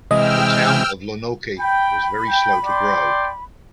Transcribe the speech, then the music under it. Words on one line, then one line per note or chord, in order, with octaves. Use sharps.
The town of Lonoke was very slow to grow.
C3 E3 G#3 D#5 G5 E6 F6
G5 B5
G5
D5 G5 C6